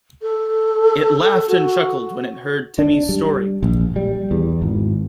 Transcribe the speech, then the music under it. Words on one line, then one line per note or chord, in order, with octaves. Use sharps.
It laughed and chuckled when it heard Timmy's story.
A4
F#4
D4
G3
A#1
G3
E2
G#1